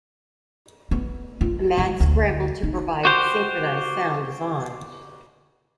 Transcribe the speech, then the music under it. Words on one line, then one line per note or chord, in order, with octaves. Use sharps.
A mad scramble to provide synchronized sound is on.
B3
F4
G#3
D2
D#4
F#4 G4 C5